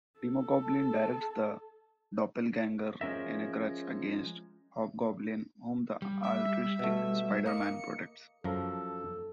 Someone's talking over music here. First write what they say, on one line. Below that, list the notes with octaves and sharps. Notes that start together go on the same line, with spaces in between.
Demogoblin directs the Doppelganger in a grudge against Hobgoblin, whom the altruistic Spider-Man protects.
A4
A5
F3 G#3 C#4 A#4 E5
G3
E5
B2 A3
A#3 D#5 C#7
F#2 F3 A4 A#5